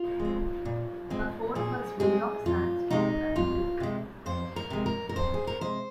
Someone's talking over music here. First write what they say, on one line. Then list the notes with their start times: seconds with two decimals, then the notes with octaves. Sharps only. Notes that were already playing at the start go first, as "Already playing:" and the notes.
The fort was built of sandstone and brick.
Already playing: F4
0.19 G#3
0.25 C4
0.65 A#2
1.10 G#3 C4
1.55 A#2 G#4
2.00 G#3 C4 G#4
2.46 F2 F4
2.90 C3 G#3 D#4
3.36 F2 F4
3.80 C3 G#3
4.26 F2 C5
4.56 A#4
4.70 C3 G#3
4.86 A#4
5.09 A#4
5.16 F2 C5
5.34 G#4
5.47 A#4
5.61 C3 G#3 C5